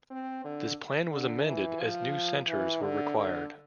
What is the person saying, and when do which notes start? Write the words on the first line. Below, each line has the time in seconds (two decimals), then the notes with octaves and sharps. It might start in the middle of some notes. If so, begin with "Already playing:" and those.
This Plan was amended as new centres were required.
0.11 C4
0.45 D3
1.11 D3
1.46 E3
1.80 F3
2.48 E3
2.82 D3
3.17 D3